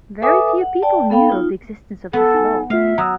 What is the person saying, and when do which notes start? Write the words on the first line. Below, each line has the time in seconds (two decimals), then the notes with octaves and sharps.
Very few people knew of the existence of this law.
0.22 A4 B4 E5 G#5 D6 D#6
0.61 F#5
0.82 D5 G5 A5
1.10 B3 A4 F5 G5 B5
1.29 D#4 F4
2.13 B3 A4
2.34 D#4 G#5
2.70 A3 F4 E5 F5
2.98 F#3 A#5 D#6 E6